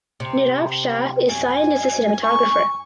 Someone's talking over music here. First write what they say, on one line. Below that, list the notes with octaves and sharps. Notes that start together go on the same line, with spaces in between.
Nirav Shah is signed as the cinematographer.
C3
F#2 G#5
C#6